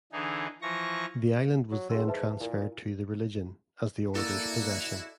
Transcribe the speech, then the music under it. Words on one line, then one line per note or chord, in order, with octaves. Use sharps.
The island was then transferred to the Religion, as the Order's possession.
D3 E3 D#4 G#4
E3 F3 C#6 A#6
F#3
F#2 G#4 C6 E6
G#2 B4 E5 A5
A#2 E4 F4 A#4
A#3 E4 F#4 A4 D5 D#5